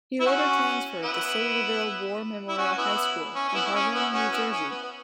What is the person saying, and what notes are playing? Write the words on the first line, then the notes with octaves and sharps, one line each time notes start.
He later transferred to Sayreville War Memorial High School in Parlin, New Jersey.
E4
C#4 F#4
B3 E4
E4
C#4 F#4
F#4
B3 E4
C#4
C#4
B3 E4
E4
C#4
B3 E4
C#4 F#4
B3 E4
C#4
B3
B3